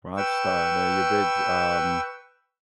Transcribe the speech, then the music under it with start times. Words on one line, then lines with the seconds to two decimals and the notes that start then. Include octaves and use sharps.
Rockstar, man, you're big, um
0.17 B4 G5 C#6 E6